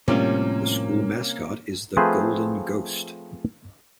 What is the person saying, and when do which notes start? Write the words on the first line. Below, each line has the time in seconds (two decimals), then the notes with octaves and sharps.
The school mascot is the "Golden Ghost".
0.08 A2 C3 F3 G3 A#3 C#4 F4
1.97 F3 A3 C4 G#4 B4 C5